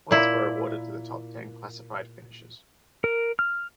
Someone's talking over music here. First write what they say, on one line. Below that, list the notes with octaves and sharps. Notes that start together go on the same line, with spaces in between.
Points were awarded to the top ten classified finishers.
A#2 E4
A#4
F6